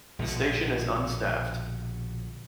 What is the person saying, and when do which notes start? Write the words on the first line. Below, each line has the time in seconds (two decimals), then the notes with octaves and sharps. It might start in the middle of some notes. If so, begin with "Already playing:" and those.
The station is unstaffed.
0.19 A#1 B2 D3